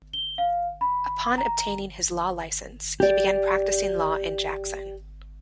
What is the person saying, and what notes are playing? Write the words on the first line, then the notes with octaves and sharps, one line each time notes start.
Upon obtaining his law license, he began practicing law in Jackson.
G7
F5
B5
A#5
G4 D5